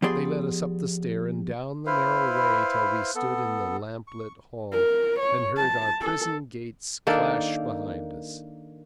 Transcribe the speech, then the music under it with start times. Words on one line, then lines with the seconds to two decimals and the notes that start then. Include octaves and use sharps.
They led us up the stair and down the narrow way, till we stood in the lamp-lit hall, and heard our prison gates clash behind us.
0.02 F3 B3 G4 G#4 D5 C6
1.86 E4 B4 C5 F5
3.15 B3 A4
4.08 C#6
4.72 A#4
5.19 C#5
5.56 A5
6.01 A4
7.07 D#3 A#3 D4 A4